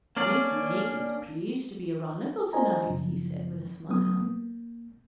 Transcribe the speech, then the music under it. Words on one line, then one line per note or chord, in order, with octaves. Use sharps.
'Miss Lake is pleased to be ironical to-night,' he said, with a smile.
A#3 C#4 D4 D5
D4 F4 C5 D#5 G#5 A#5
F#2 C#3 F3
F#3 A3 B3 D#6
A#3